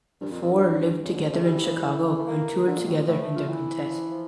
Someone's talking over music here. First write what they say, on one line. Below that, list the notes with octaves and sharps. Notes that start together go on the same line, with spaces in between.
The four lived together in Chicago and toured together in their quintet.
G2 A#2
F2
F2
G2
F2 C#3
D3
A2
F3
C#3 A3
E3 G3
G3
F3
G3
A3
A3
A#3
D3
A#2
A2
A#2
A2 A3
F3
E3
F3
F3